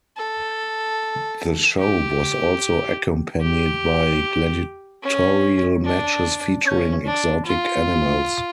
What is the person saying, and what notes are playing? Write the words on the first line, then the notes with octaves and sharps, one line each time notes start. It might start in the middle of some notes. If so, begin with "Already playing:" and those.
The show was also accompanied by gladiatorial matches featuring exotic animals.
A4
G4
G4
C#4
D4
C#4
D4
F4